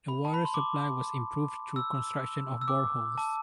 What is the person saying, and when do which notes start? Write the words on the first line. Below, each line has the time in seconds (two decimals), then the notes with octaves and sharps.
The water supply was improved through construction of boreholes.
0.08 B5
0.25 A5
0.34 B5
0.45 C6
0.54 D6
1.76 E6
2.61 E6
2.68 D6
3.18 A5